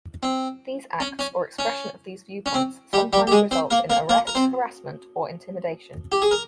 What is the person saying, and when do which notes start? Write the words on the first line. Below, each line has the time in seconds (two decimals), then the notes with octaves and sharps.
These acts or expression of these viewpoints sometimes results in arrest, harassment, or intimidation.
0.23 C4
1.00 C#4
1.19 C#4
1.59 C#4
2.46 C#4
2.54 C4
2.93 G3 G4
3.13 G3 G4
3.27 G4
3.31 G#3 G#4
3.51 C4 C5
3.70 A#3 A#4
3.90 A#3 A#4
4.09 A#3 A#4
4.27 A#4
4.35 C4 C5
6.12 G4
6.22 G#4
6.31 A#4